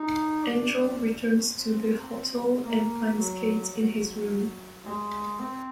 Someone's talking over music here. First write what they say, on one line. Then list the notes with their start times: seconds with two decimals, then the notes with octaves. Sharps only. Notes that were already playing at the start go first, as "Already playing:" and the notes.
Angel returns to the hotel and finds Kate in his room.
Already playing: D#4
0.43 D4
1.53 C4
2.64 A#3
3.18 F#3
3.74 F#3
4.85 G#3
5.39 C4